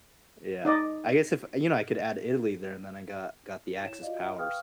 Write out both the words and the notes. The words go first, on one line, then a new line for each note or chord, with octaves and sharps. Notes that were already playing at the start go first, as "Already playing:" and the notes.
Yeah, I guess if you know, I could add Italy there and then I got got the Axis powers,
D#4 D5 D#5
E4 C#5 E7
F4 F#4 D5 D#5 F5
B4 F5 G5 C#6 D#6 F6